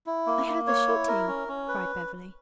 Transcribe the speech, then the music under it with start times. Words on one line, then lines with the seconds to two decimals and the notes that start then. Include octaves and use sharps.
"I heard the shooting," cried Beverly.
0.06 E4
0.27 A#3
0.47 A#3
0.67 C#5
0.88 E4
1.08 A#4
1.28 C#4
1.48 C#4
1.68 B4